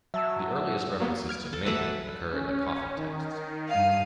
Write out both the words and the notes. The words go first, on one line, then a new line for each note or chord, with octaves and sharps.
The earliest references to Mehen occur in the Coffin Texts.
F#3 E5 A5 E6
F#3 A#3 B3
F6 G#6 D7
A4
E3 F#3 A3 B4 E5 F#5
C#4
D#3
G2 F5 D#7